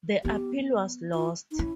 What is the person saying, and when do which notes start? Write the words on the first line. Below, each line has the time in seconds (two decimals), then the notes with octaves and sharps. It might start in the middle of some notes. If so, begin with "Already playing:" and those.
The appeal was lost.
0.24 B3 G4
1.14 F4
1.51 D#4
1.59 C#4 E4